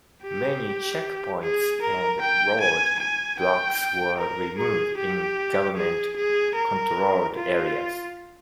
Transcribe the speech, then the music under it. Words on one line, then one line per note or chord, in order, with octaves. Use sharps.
Many checkpoints and road blocks were removed in government controlled areas.
G4
G#4
A#4
G5
G#5
G#5
G5
A#4
G#4
G4
G#4
G#4
A#4
F4